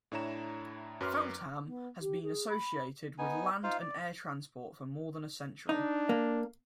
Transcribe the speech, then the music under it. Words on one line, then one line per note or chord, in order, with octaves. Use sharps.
Feltham has been associated with land and air transport for more than a century.
A2 D4 E4 C#5 A#5 E7
F#2 F#3 B4 C6 D6 F6
B3
G4
G#4
B5
B3 D#4 G#5
D#4 F4 C5 F5
D5
D4 D#4
A#3